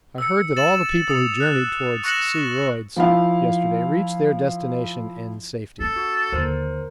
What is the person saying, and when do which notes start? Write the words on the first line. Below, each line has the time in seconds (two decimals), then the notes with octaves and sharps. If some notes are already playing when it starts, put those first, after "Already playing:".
I heard that all the people who journeyed towards C. Royds yesterday reached their destination in safety.
0.18 E6 C#7
0.56 A6 E7 F#7
1.08 D#6 C#7 F7
1.40 F#6
2.04 C#6 F#6 A#6 C#7 E7 F#7
2.96 F3 E4 F5
5.80 C#4 A4
5.96 F#4
6.32 D#2 D3 A#4 C5